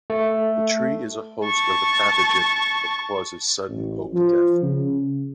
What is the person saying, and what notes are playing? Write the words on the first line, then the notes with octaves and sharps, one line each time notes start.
The tree is a host of the pathogen that causes sudden oak death.
A3
A5 C#6
A1
F3
C#3